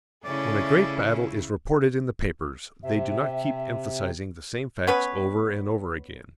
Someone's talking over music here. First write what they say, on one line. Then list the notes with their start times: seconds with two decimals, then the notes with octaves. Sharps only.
When a great battle is reported in the papers, they do not keep emphasizing the same facts over and over again.
0.25 C#3 A3 C#4 E4 D5
2.83 C3 E5
4.87 B3 C#4 B4 C#5